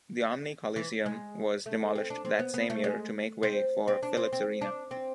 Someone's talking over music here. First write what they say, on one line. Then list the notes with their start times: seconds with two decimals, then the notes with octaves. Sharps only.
The Omni Coliseum was demolished that same year to make way for Philips Arena.
0.76 E3
1.06 G#3
1.66 A3
1.96 C4
2.10 D4
2.25 C4
2.39 B3
2.54 B3
2.70 A3
2.84 G#3
3.43 C4
3.88 C4
4.03 D4
4.17 C4
4.33 C4
4.61 D4
4.91 C4